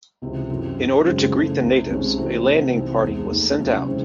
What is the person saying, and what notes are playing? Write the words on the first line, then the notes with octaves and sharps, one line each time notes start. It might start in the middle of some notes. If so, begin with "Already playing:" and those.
In order to greet the natives a landing party was sent out.
C#2 C3 E3 C4
F#2 E3 C4 F#4 C5
F#2 D#3 F#3
F#2 C#3 G#3 C4 D#4
C#3 E3 A3
C2 C3 D#3
C2 C3 D#3 G#3 C#4
E3 A3 C4 F#4
C3 E3 C4
C2 C3 E3 C4 D#4
E2 D#3 G#3
D#2 D#3 A3 D#4
C3 F#3 C#4 E4
C#3 E3 G#3 C4